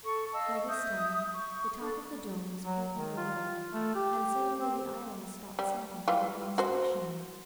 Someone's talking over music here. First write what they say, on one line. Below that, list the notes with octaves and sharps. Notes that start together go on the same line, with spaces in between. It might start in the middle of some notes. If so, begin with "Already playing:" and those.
By this time the top of the dome was quite under water and suddenly the island stopped sinking and became stationary.
A4 C#6
D#5 F5 A5 E6
E5 D#6 G6
C#6
D4 A4
F#3
D#3
F4
A3
G4
C4
G3
E3 G3 F4
F#4 C5